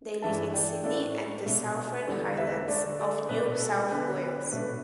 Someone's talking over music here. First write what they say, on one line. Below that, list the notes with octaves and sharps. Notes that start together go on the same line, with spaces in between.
They live in Sydney and the Southern Highlands of New South Wales.
G2 E3 A3 D4 E5 A5
D5 G5
A2 A3 D4 A4 D5
B2 A3 D4
E2 D3 G3 B3 A4 D5
B4 E5
D3 A3 D4 A4 D5
A4 D5
B2 A3 D4 B4
D5
B4
A4
D3 B3 D4 B4
B4
B2 A3 D4 B4